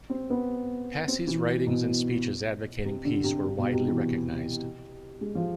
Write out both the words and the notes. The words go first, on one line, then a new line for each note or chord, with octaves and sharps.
Passy's writings and speeches advocating peace were widely recognized.
C4
B3
C4
E3
B2
C3
D3
C3
C3
B2
C3
E3
G#3
F3